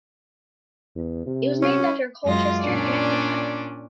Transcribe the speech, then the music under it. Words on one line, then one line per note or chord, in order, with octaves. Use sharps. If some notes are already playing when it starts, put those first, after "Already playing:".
It was named after Colchester, Connecticut.
E2
C3
C#4
F#2 G#3 F4 A#6
A#2 C#4 D4 D5